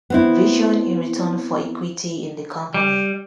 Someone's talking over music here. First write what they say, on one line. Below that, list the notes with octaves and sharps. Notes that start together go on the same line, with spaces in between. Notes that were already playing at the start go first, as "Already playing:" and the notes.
Vision, in return for equity in the company.
B3 C4 E4
G3